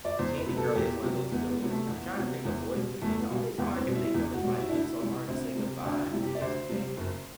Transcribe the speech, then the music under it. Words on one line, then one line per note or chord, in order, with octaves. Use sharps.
Candy Girl is one of those good ones. I'm trying to think of Boyz II Men, the only song I can think of is, like, "It's So Hard To Say Goodbye To Yesterday?"
D5
E2 C5
B4
C3 F#3
A4
E2 G4
C3 F#3
E2 B3
B3
C3 F#3
A3
E2 B3
C3 F#3
E2
B2 G3
E2 A3
B3
B2 G3
E2 B3
C4
B2 G3
E4
E2
F#4
B2 G3
F#4
E4
D2 D4
E4
C3 G3
D2 C4
C3 G3
C4
D2 D4
E4
C3 G3
G4
D5
D2 C5
C3 G3
F#1